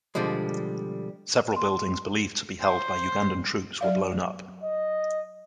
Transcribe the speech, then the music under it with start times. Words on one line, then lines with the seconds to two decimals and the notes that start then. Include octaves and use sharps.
Several buildings believed to be held by Ugandan troops were blown up.
0.15 B2 D3 F3 G3 G#3
1.56 C6
2.62 C5
3.81 F#3 D5 F5
4.63 D#5